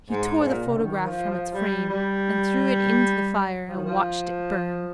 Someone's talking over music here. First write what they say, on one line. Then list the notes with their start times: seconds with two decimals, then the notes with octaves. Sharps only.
He tore the photograph from its frame and threw it into the fire and watched it burn.
0.10 G#2
0.41 G#2
0.47 A#2
0.67 C3
0.74 D3
0.82 D#3
1.06 F3
1.30 F3
1.53 G3
1.89 G3
3.68 F3
3.76 D#3
3.85 F3